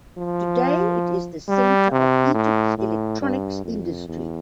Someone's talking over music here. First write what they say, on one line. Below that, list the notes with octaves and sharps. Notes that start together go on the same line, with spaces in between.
Today it is the center of Egypt's electronics industry.
F3
G3
C3
A2
A2
G2
F2
E2